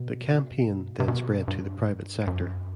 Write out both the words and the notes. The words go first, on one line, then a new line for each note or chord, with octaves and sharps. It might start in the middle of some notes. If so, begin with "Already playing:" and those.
The campaign then spread to the private sector.
Already playing: B2
C3
B2
G2
F#2